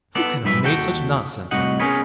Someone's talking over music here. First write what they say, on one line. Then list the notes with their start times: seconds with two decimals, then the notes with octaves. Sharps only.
"Who can have made such nonsense of it?"
0.15 B3 A4 D5
0.43 B1 G2 F3 B4 E5
0.64 D#2 F#4 A4 G5
1.51 C2 A2 D#4 F#4 D#5 F#5
1.79 B3 C#4 G#4 A#4 B4 C#5